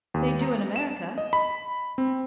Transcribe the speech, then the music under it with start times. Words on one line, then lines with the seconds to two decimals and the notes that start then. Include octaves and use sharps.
"They do in America."
0.14 D#2
0.42 A#5
0.76 E7
1.18 D#5
1.33 B5
1.98 C4